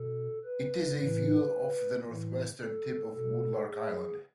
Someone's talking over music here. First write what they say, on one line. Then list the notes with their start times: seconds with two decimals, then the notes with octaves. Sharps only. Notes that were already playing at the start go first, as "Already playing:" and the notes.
It is a few off the northwestern tip of Woodlark Island.
Already playing: B2 A4
0.44 B4
0.98 A2 E3 B4
2.06 A2 E3
2.61 A4
3.14 B2 A4
3.68 G#4